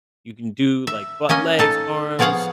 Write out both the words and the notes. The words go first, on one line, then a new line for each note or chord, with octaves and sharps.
you can do, like, butt, legs, arms,
E5
A#3 C#4 D#5 G#5
D#4 A4 A5
F3 B3 G#4 C#5 F5 F#5